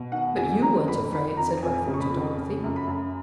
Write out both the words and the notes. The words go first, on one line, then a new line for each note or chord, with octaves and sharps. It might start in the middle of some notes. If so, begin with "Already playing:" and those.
"But you weren't afraid," said Raffle to Dorothy.
Already playing: B2
D#3 F#5
F2 G#5
F2 A#5
F2 B5
D#3 B5
F2 A#5
F2 G#5
C#3
C#6
B5
F2
C#3
F#2
B5
F#2